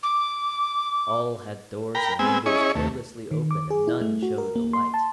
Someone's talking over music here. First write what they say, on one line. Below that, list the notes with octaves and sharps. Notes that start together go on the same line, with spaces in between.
All had doors and windows carelessly open, and none showed a light.
D6
A#4 G5 A#5 B5
G#3 B3 C4 G#5 E6
C#4 E4 G#4 C#5 D#5 C#6
D#2 A3
D#3
D6
G#4
E4
A3
F#4
A#4
A#3
C6
A5